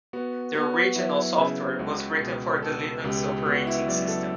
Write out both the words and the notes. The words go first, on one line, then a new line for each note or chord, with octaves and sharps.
The original software was written for the Linux operating system.
B3 F#4
B3 F#4
F#3 E4
C#3 E4
C#2 F#4
B2
B2 A4
C#2 G4
B3 F#4
E4
F#3 D5
A4